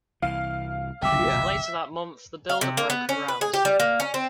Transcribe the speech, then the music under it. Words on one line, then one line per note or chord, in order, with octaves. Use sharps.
Later that month, the builder broke ground.
C2 E3 F5
G1 C2 F#3 E5 G5 D6
F5
C3
A#3
B3
C#4
B4
G#4
G4
G3
A#3
C#4
C4